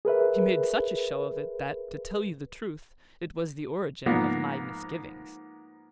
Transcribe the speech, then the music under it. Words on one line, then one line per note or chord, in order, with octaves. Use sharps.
"She made such a show of it, that, to tell you the truth, it was the origin of my misgivings."
G#4 A#4 B4 E5
G#2 F3 A#3 B3